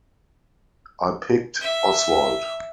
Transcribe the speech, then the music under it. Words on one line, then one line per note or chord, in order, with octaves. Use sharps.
I picked Oswald.
E5